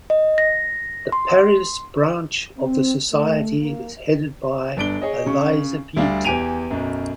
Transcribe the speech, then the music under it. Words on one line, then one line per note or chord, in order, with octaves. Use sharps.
The Paris branch of the Society is headed by Eliza Pieter.
D#5
A#6
C6
C4
A3
A#3
G1 D4 D7 G7
G#4 C#5 D#5
C#3 C#6
D2 G3 D4 F5
E2 G4 G#5 D7 D#7 F7
B1 F#2